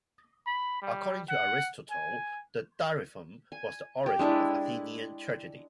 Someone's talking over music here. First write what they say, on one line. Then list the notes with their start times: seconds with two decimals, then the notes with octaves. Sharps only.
According to Aristotle, the dithyramb was the origin of Athenian tragedy.
0.47 B5
0.82 G3
1.29 F#5
1.90 G#5
3.52 G#5
4.06 G4
4.19 G#3 D4 E4 G4